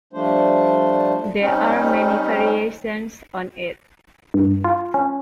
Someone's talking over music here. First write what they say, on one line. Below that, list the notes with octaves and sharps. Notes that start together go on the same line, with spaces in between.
There are many variations on it.
F3 G3 A3 D4 C5
G3 C4 C#4 D#4
G2
F4
C#4